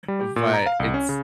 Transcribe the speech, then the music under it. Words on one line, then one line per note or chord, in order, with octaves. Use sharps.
but it's
G3
G4
A#2
A#5
F5
C2
C#4
C#3